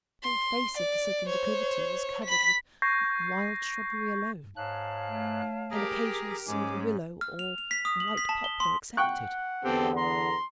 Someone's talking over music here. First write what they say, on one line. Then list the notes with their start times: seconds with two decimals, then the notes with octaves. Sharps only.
The whole face of the southern declivity was covered with wild shrubbery alone--an occasional silver willow or white poplar excepted.
0.22 C6
0.78 D5
1.26 C5 C#5
2.24 B5 B6
2.82 C#6 G6 G#6 A#6 C7
4.56 G#2 C#5 F5 A5 F#6
5.08 A3
5.71 G4 G#4 A#4 A#5
6.47 G#2 G#3 C#4 G#5 D6
7.21 F6
7.39 F7
7.58 F7
7.71 B6
7.85 D#6
8.00 F#7
8.17 B6
8.29 A5
8.44 G7
8.60 C6
8.97 F#5 G5 C#6 F#6
9.65 E2 D3 B3 C4 G4 A4
9.97 A#5 C6